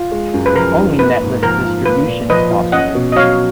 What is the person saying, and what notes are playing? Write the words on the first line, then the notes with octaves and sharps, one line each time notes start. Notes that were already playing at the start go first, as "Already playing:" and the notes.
Only netlist distribution is possible.
Already playing: F4
G#3
F#2
B4
F3 A#4
D#4
A#3 B4
G#2
F3 A#4
F4
A#3 B4
A#2
F3 B4 D#5
F4
C#4 D#5 F#5
B2
D#5
F#3 C#5 F5